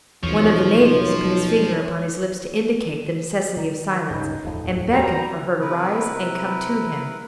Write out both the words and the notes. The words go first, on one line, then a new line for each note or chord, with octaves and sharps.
One of the natives put his finger upon his lips to indicate the necessity of silence, and beckoned for her to rise and come to him.
B1 E2 F3 C#5
D#3
D1 G2 C#3 D#4 G6
D#1 F2 A2
G3 B3 F#4 C#5 A#5
C3 E4 A#4 B4